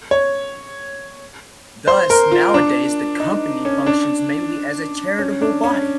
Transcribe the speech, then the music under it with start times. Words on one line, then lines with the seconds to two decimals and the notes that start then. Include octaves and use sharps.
Thus nowadays the Company functions mainly as a charitable body.
0.11 C#5
1.87 C5
2.10 A#4
2.31 F4
2.54 D4
3.20 D#4
3.65 C#4
3.86 D4
5.19 C#4
5.42 D4
5.64 C#4